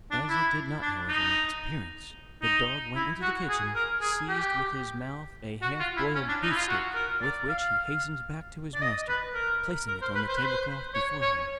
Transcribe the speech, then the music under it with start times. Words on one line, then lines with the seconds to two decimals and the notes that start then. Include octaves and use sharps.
As it did not, however, make its appearance, the dog went into the kitchen, seized with his mouth a half-broiled beefsteak, with which he hastened back to his master, placing it on the table-cloth before him.
0.11 D4
0.29 E4
0.82 D4
1.09 D#4
2.42 D#4
2.95 E4
3.21 F#4
3.49 G#4
3.75 A#4
4.01 G#4
4.28 G4
5.62 F#4
5.80 F4
5.97 E4
6.15 C#4
6.28 D4
6.42 D#4
6.51 E4
6.55 F4
6.68 F#4
6.95 A#4
7.22 D5
7.49 F5
8.74 D5
8.82 D#5
9.08 B4
9.35 A#4
9.88 A#4
10.02 C5
10.15 B4
10.28 C5
10.36 B4
10.45 C5
10.94 C#5
11.21 C#5